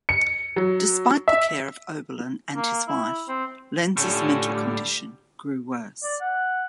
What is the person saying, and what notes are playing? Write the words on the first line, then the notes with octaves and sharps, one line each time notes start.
Despite the care of Oberlin and his wife, Lenz's mental condition grew worse.
C#7
F#3
E5
A#3
E4
C4
A2 D3 C#4 F4 G4
G3
D5
F#5